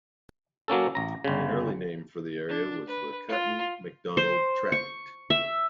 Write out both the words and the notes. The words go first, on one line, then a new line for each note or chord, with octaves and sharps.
An early name for the area was the Cutten-McDonald Tract.
F#3 A#3 C#4 A4
A1 A#5
G1 C#3
D4
B4
F4
C5
C#6
E5